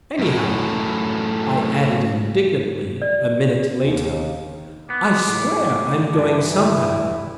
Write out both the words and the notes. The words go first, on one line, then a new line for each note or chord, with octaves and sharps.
"Anyhow," I added indignantly a minute later, "I swear I'm going somehow."
F#2 A2
D5
D#2
B3 D6
A2
G2 E3 D4
E4